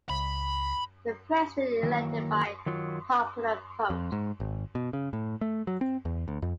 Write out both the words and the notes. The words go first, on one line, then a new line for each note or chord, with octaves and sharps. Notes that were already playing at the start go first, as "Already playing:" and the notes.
The president is elected by popular vote.
C#2 B5 B6
D#3 E3 F#3 A#3
D#3 F#3 F4
F2
G#2
G#1
B2
C#3
A2
A3
F#3
C4
E2
D2
F2